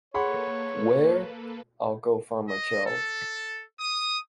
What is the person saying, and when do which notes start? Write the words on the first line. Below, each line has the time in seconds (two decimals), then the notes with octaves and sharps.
Where? I’ll go find my child.
0.14 A#3 G#4 A4 B4 C#5 F#5 B5 C6
2.50 D#5
2.87 A4
3.80 D#6